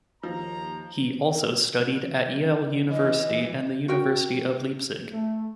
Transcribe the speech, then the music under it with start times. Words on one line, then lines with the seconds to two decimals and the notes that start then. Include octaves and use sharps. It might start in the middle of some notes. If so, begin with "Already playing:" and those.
He also studied at Yale University and the University of Leipzig.
0.23 D#2 F3 A#5
2.90 E3 D#5
3.88 F#4 A#4 G5
5.13 A3